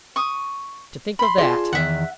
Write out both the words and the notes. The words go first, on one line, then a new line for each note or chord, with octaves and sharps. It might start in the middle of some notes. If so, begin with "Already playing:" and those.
'To think of that!
C#6 D#6
B5 C6
F4 G#4 D5 A5 C6
E2 D#3 E5 F#5